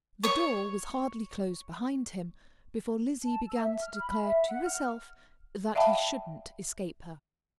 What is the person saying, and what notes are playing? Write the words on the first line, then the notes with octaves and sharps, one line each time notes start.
The door was hardly closed behind him before Lizzie began to declare to herself that he shouldn't escape her.
C#5 C#6
A5
E6
E5
F6
B5
E5
F#5
F6
D5 E5 F5 G5 A5 B5